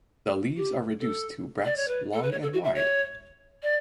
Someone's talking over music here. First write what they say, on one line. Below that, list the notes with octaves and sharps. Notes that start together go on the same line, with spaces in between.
The leaves are reduced to bracts long and wide.
G4
A4
D5
C#5
B4
A4
B4
C#5
A4
F#4
E5
C#5
D5